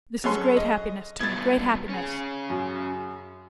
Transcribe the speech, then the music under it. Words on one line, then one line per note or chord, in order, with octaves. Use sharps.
'This is great happiness to me, great happiness.
F#3 C#4 G#4 A4 C6
D#5
G2 C3 B3 G#6 A6
C#4 G#4
F#2